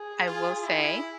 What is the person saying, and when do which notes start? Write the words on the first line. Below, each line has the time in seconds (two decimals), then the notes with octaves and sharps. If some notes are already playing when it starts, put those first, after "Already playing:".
I will say
Already playing: G#4
0.26 F4
0.63 E4